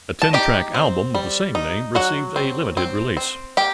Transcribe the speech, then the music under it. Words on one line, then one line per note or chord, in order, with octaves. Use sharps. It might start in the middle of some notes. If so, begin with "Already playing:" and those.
A ten-track album of the same name received a limited release.
A5
D#4 G4 G5
C4
G3
D#4
F#3 F#4 F#5
C4
C4
C4
A#3 G4 G5